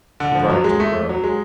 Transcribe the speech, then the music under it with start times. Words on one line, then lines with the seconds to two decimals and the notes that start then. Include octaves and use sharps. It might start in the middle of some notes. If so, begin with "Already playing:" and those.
He brought it to the rug.
0.20 D3
0.35 F3
0.50 F#3
0.64 G#3
0.80 A3
1.09 F#3
1.24 G#3